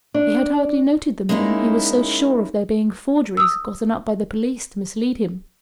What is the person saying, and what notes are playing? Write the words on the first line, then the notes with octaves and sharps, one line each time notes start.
He had hardly noted them then, he was so sure of their being forgeries, gotten up by the police to mislead him.
D4
G#3 A#3 C#4 D#4 E4
D#6 E6